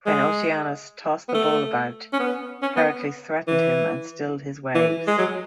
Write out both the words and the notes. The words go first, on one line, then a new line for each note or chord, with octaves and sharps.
When Oceanus tossed the bowl about, Heracles threatened him and stilled his waves.
G#3
B3
A3
C#4
B3
C#4
B3
E3
E3
G#3
F#3